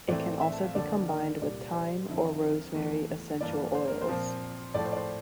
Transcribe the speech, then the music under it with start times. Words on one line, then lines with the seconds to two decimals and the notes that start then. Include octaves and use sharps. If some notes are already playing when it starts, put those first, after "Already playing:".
It can also be combined with thyme or rosemary essential oils.
0.08 A2 E3 A3 C4 E4 D5
0.41 E5
0.53 A5
0.64 F5
0.74 D2 D3 F3 A#3 D4 D5
1.08 A#4
1.30 A#4
1.41 C2 A#2 G3 D5
1.74 C5
2.08 F2 D3 F3 C4 E4
2.41 A#4
2.75 E2 E3 A3
3.41 G2 E3 A#3 D4 D5
3.75 C5
3.88 A#4
4.01 C5
4.08 A#2 F3 C4
4.74 A2 F3 A3 D5
4.85 C5
4.93 D5
4.97 C5